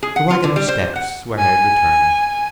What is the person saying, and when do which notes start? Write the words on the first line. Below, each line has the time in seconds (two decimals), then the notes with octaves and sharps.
The waggoner's steps were heard returning.
0.03 G#4
0.16 F#5
0.30 F4
0.44 D3
0.56 G3
0.68 C5
0.96 F#5
1.39 G#5